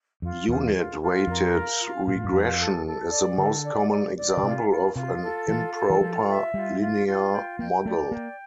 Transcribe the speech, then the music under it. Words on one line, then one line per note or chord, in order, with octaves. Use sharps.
Unit-weighted regression is the most common example of an improper linear model.
F2 F4
E2 F4
F4
F4
F2 A#4
F5
F4
A#2 F4
A2
G2
F2 F5
A4
A4
D5
D3 A4
D5
D5
D5
D3
C3 F4
F4
C3 F4
A4
E3 F4
A4
E3
F3 F4
E5
G3 F4
F4
F4
G5
A#3 G5
A3 D5
A#3 G5